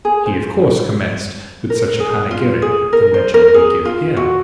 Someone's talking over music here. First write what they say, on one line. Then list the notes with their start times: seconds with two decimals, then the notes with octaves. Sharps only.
He of course commenced with such a panegyric the legend we give here.
0.05 G#4
0.26 C5
1.70 A#4
2.00 G#4
2.31 F4
2.62 G#4
2.93 A#4
3.14 C5
3.34 A#4
3.54 G#4
3.85 F4
4.17 F#4